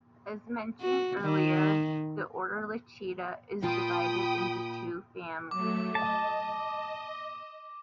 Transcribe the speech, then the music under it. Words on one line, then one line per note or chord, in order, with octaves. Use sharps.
As mentioned earlier, the order Lichida is divided into two families.
F#4
D#3
A#2 F4 G5 A5 B5 D#6
F#3 A3 D6
D#5 A5